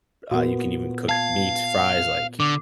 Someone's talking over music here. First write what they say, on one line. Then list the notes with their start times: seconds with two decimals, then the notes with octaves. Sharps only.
uh, you can even cook meat, fries, like
0.31 A#2 B3 F#4 A#4
1.09 F5 A5 G#6 C7
2.40 D3 D6